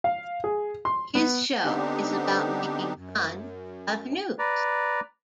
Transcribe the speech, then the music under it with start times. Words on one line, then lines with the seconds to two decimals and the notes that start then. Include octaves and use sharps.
His show is about making fun of news.
0.04 F5
0.44 G#4
0.85 C6
1.15 B3
1.65 D3 B3 C4 D4 D#4 G4
2.96 F#2
4.39 B4 D5 A#5